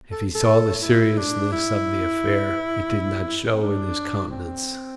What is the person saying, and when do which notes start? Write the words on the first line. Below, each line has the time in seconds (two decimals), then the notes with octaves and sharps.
If he saw the seriousness of the affair, it did not show in his countenance.
0.12 A4
0.35 A4
0.82 E4
1.17 D4
1.52 E4
3.54 C4
3.62 D4
4.32 C4